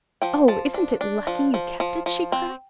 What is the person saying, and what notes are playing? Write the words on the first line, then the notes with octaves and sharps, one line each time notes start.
"Oh, isn't it lucky you kept it?" she cried.
F3 G5
F3 A5
D4
D4
F3
F3
F3
F3
C4